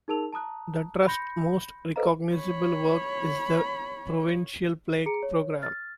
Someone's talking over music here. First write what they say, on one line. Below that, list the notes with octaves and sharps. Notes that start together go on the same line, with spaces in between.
The Trust's most recognizable work is the Provincial Plaque Program.
D#4 G#4 A#4 A5 E6 F7
A5 A#5 D#6 F#6
B5 C6 F#6 G6 A#6 C#7
A4 B4 C5 D#5 F5 A#5
C#5 B5
G#4 A#5 C#7 D7
C#5
F6 A6